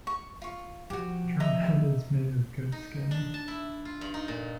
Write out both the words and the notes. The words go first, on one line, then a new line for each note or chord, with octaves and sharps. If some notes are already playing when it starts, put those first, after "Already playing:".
The drumhead is made of goat skin.
C#6
F4 C#6
F3 F#4 G4
D#5 E5 A#5
D#4
D4
A5
E4
F4
G2
D#4
A#2